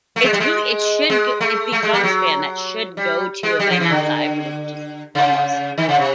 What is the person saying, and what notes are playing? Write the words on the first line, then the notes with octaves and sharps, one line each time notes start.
It's really it should g it's the exhaust fan that should go to a vent outside, but it's just almost it
A3
G#3
G3
G#3
G#3
A3
A3
G#3
G3
F#3
G3
G#3
G3
F3
E3
D3
C#3
D#3
C#3
C3